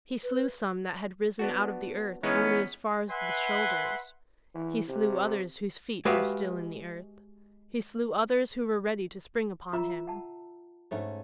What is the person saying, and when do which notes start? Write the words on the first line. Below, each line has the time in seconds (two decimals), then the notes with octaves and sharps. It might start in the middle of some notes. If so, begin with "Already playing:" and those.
He slew some that had risen out of the earth only as far as the shoulders; he slew others whose feet were still in the earth; he slew others who were ready to spring upon him.
0.23 B4
1.39 B3 D4 F#4
2.23 E3 G#3 B3 C#4 D#4 C#5
3.10 B4 E5 F#5 G#5 C6
4.55 E3
4.89 C3
6.05 G#3 F#4 G4 B4 E5 F5
9.73 F4 E5 A#5 B5
10.07 F#5 A5
10.91 G#2 A3 C#4